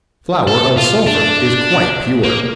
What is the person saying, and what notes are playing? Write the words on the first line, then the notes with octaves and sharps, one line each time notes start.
Flower of sulphur is quite pure.
A4
F4
D4
A#3